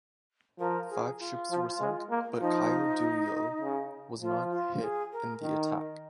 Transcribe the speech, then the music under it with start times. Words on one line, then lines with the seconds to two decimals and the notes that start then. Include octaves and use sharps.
Five ships were sunk, but "Caio Duilio" was not hit in the attack.
0.59 F3 A#4
0.90 G#4
1.20 F4
1.51 F3
1.80 G#3
2.10 A#3
2.41 F3 D#4
3.62 C#3
4.22 F3 F4
4.51 F4
4.81 G#4
5.13 A#4
5.42 D#3 A#4
5.73 D#5